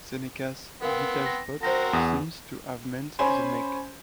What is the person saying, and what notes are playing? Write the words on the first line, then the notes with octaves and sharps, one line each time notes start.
Seneca's "vital spot" seems to have meant the neck.
B3 C4 A#4 F5 G5
A#6
C4 F#4 A#4 C5 G6 A#6
E2 F#5 D#6
C#4 C5 G#5 B5